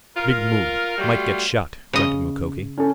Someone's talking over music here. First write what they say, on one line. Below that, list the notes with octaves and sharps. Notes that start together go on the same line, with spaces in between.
"Big moon--might get shot," grunted Mukoki.
F4 A#4
F#3 G3 A3 F4 G4
C#3 D#5
C#4 A4